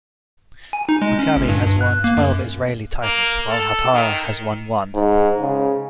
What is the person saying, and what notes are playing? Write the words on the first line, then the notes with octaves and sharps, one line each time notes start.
Maccabi has won twelve Israeli titles, while Hapoel has won one.
G#5
D#4
G#3
C#4
G1
G2
G2
F#6
A#3
F#2
A#3
A4
D#3
G#2
C#3